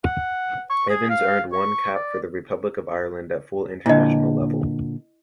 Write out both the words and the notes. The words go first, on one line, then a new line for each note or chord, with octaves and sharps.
Evans earned one cap for the Republic of Ireland at full international level.
F#5
C#6
G#4
F5
C#6
D5
A#2 D3 E4 D#5